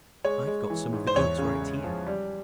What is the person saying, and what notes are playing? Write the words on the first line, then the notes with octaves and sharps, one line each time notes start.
I've got some of the goods right here.
G#3 C#5
G#3
E3
G#2
C5
E2 C#5
C#3
G#3
F3
G3